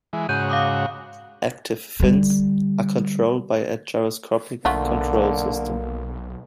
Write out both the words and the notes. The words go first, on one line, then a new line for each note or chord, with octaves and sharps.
"Active fins" are controlled by a gyroscopic control system.
E3 G#3
G#2 C#3 F#4 G6 D#7
F5 D6 D#6
D3 G3
B1 D3 A3 A#3 F4 F#4